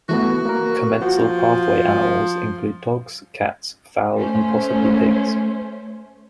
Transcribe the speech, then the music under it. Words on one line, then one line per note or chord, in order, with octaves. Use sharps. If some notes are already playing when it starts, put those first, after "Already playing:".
Commensal pathway animals include dogs, cats, fowl, and possibly pigs.
E3 A3 B3 F#4
A#3 A#4
F3 F#4
A3 C#4 C5